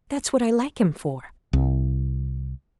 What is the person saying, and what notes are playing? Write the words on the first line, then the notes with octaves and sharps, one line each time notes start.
"That's what I like him for."
C2